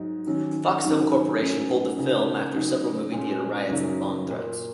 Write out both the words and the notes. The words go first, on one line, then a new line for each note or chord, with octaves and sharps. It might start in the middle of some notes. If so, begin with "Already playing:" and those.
Fox Film Corporation pulled the film after several movie-theater riots and bomb threats.
Already playing: G#2 F#3 D#4
D#3 F#3 C#4
G#2 D#3 F#3 C#4
G#2 F#3 A#3 C#4
C#3 A#3 D#4
C#3 F#3 D#4
A#2 G#3 C#4
F#2 C#3 F#3 A#3 D#4
A#2 F#3 A#3